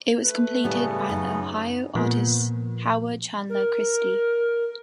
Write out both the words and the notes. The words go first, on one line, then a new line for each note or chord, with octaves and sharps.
It was completed by the Ohio artist Howard Chandler Christy.
A3 B4
A2 C#3 G3 B3 G4
F#2 D#4
A#2 F3 A#3 B3
A#4